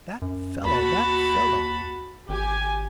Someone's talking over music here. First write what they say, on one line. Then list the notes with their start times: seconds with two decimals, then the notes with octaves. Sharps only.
That fellow--that fellow!'
0.22 F#2
0.65 D#2 F#4 A5 B5
2.29 G#1 G4 G#5